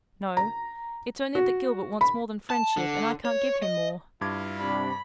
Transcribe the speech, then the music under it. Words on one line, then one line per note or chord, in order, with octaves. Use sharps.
"No; it's only that Gilbert wants more than friendship and I can't give him more."
A#5
F#4
B5
A5
D3
C#5
D#5
G2 E4 F4 D6 G#6
C3 G3 D4 B5